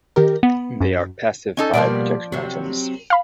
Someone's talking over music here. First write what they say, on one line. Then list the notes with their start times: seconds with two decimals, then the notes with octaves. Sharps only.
They are passive fire protection items.
0.16 D#3 G4 A#4
0.43 B3
0.80 F#2
1.57 C#4 D#4 A4
1.73 B2 F3 G3 A#3 D5
2.32 C3 F#3
3.10 F5 B5